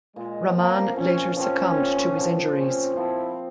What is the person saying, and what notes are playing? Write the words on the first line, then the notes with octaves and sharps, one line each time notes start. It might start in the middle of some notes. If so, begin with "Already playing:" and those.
Raman later succumbed to his injuries.
A#2 G#3
F3 A#3 C4
A#2 C#4
F3 C4 C#4
A#2
F3 C4
A#2 C#4
F3 C4 E4